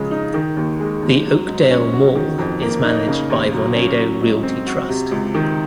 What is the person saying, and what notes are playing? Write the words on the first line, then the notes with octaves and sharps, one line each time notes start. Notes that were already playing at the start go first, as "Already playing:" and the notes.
The Oakdale Mall is managed by Vornado Realty Trust.
Already playing: C#3 F3 G#3
D#4
D#3
D#2
G#3
D#2
F#3
G#2
C#4
F#4
D#3
F2
A#3
D#4
C#3
D#2
F#3
C#4
F#3
G#2
C4
F#4
C3
C#2
D#3